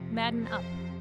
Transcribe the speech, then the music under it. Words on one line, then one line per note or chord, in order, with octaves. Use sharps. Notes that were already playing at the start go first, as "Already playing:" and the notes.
Madden up.
Already playing: F2 C3 F3
C5